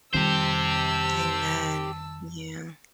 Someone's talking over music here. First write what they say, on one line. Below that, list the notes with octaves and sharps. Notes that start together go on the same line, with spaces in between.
Amen, yeah.
F2 D#3 G3 G4 C5 A5 E6